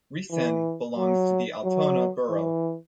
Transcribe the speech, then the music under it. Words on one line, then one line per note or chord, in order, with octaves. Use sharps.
Rissen belongs to the Altona borough.
E3
F#3
F#3
E3